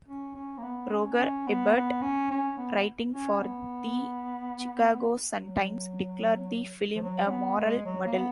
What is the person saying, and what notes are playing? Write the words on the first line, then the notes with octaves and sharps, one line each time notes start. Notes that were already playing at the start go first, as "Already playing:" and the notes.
Roger Ebert, writing for the "Chicago Sun-Times", declared the film a "moral muddle".
C#4
C#4
A#3
B3
C#4
C#4
B3
B3
C#4
C#4
B3
C#4
B3
F#3
F3
F#3
C#4
B3
G#3
F#3
A#3
B3